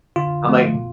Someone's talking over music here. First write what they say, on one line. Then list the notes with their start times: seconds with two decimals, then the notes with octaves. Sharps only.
I'm like
0.16 D3 F4
0.45 F3 A3
0.75 B2